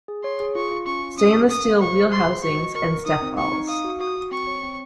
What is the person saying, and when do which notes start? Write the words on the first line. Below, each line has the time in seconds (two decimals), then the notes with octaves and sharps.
Stainless steel wheelhousings and stepwells.
0.08 G#4
0.24 C#5 C6
0.40 G#4
0.55 F4 C#6
0.71 F4
0.87 C#4 C#6
1.02 F4
1.18 C#4 D#6
1.34 C#4
1.49 A#4 D#6
1.64 F5
1.81 C5 C#6
1.96 C5
2.12 G#4 C6
2.28 C5
2.43 F#4 C#6
2.59 D#5
2.75 A#4 C#6
2.91 A#4
3.06 D#4 D#6
3.22 C4
3.37 D#4 C#6
3.53 D#4
3.69 F5 D#6
3.84 F#4
4.00 F#4 D#6
4.16 F#4
4.31 C4 C#6
4.47 C#5
4.63 C4